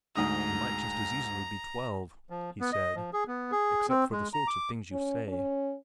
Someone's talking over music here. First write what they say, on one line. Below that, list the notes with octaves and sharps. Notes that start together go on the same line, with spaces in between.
'You might just as easily be twelve,' he said, 'except for the sorts of things you say.'
D2 G#2 A#5 D#6
F3
B3
D#5
F3
G#4
B3
G#4
C4
G#3
A#5
D6
C#4
C#4